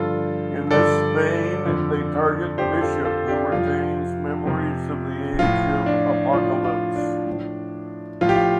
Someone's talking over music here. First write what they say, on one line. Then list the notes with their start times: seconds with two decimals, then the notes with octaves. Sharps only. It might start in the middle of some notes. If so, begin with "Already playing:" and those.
In this vein, they target Bishop, who retains memories from the Age of Apocalypse.
Already playing: G2 D3 F3 F4 A4
0.71 G2 D3 F3 A4 D5
1.65 F2 D3 F3
2.58 F2 D3 F3 G4 C5
2.81 F4 A4
3.05 F4 A4
3.28 D4 G4
3.52 F2 C3 F3 F4
4.45 F2 C3 F3
5.39 A2 F3 F4
5.86 D4
6.33 A2 F3 F4
6.64 F4
6.96 D4
7.27 A2
7.32 F3
8.21 A2 F3 F4
8.29 G4
8.36 F4